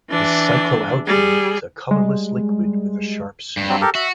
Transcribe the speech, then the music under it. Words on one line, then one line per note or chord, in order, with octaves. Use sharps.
This cycloalkene is a colorless liquid with a sharp smell.
E3 D4
G3 G#4
G3 G#3
G2
F#3 G3 C4
G4 A4 A#4
F#4 E5